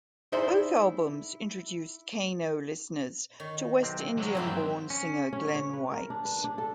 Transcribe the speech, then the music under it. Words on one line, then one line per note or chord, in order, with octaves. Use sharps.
Both albums introduced Kano listeners to West Indian-born singer Glen White.
D#4 E4 G#4 C5 D5 E5
D#3 C#5
B1 C3 C4
G#2 C3 F#3 C#5
G#1 G2 E3 C4 E5
C#4
C#4
C#5
B4
A#4
D4
B4
D4
A4